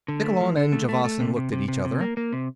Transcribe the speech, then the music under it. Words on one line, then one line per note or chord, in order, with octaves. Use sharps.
Nikkolon and Javasan looked at each other.
D3
A3
F3
D3
A3
A3
A3
C3
C3
C3
C3
C3
A#3
A#3
C3